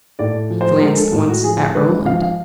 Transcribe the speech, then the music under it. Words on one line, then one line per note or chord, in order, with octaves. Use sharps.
He glanced once at Roland.
A2 D5
F3
C5
G#3 A#4
A4
A2
F#4
F3 G#4
G#3 B4
F3 F5
F5